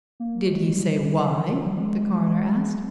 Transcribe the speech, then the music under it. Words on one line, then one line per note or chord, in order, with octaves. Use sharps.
"Did he say why?" the coroner asked.
A#3
G#3
G3
F3
D#3
F3
G3
G#3